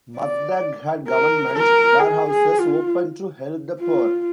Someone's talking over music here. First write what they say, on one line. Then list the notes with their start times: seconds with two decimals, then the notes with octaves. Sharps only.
Mazdak had government warehouses opened to help the poor.
0.18 D5
1.08 A#4
1.53 A#4
1.99 G#4
2.30 G#4
2.59 F4
3.80 F4